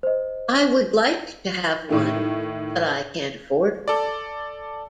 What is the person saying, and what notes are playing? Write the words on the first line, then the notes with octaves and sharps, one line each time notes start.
I would like to have one, but I can't afford one.
C5 D#5
A2 D#3 A3
A4 D5